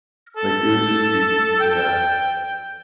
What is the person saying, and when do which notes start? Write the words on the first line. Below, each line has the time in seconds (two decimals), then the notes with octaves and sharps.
like, it would just be Yeah.
0.37 A4
1.60 G5